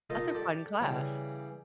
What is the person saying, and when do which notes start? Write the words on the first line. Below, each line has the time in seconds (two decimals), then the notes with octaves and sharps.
That's a fun class.
0.10 D#4 F4 A4 A#4 D#5
0.34 G4 A4 D5 E5
0.80 C#3 E3 G3 G5